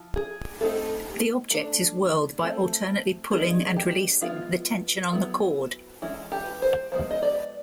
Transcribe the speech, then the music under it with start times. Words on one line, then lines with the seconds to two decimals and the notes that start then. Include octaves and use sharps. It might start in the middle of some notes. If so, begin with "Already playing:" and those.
The object is whirled by alternately pulling and releasing the tension on the cord.
Already playing: F3 E4
0.16 G#4
0.61 A3 C4 D#4 A4
1.51 A3 D4
2.41 A3 C4 E4
3.31 G#3 B3 D4 G#4
3.76 G4
4.21 F3 G#3 B3 E4 F4
5.12 F#3 B3 E4
6.02 E3 G#3 C#4 E4
6.32 G4
6.62 C5
6.92 F3 G#3 B3 C5
7.11 D#5
7.22 D5